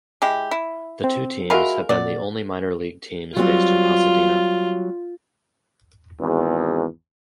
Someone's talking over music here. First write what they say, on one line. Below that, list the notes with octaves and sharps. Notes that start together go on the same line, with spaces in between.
The two teams have been the only minor league teams based in Pasadena.
G#3 E4 G4
E4
C4
G#3 F4 F#4 A#4 E5 B5
A#2 F#3 D5
F#3 G3 C4 F4
G#1 E2